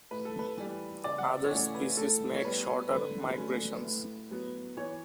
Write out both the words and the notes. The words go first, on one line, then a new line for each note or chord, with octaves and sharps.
Other species make shorter migrations.
A2 B4
A4
B4
E3 G3
C#3 D5
F#5
E5
C#5
E3 A3 C#4 D5
B4
A2 A4
C#5
G3 B3 B4
D3 B4
F#3 A3 C#4
A2
F#3 B3
E3 C#5